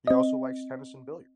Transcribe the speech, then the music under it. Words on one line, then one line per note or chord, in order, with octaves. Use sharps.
He also likes tennis and billiard.
C4 D#5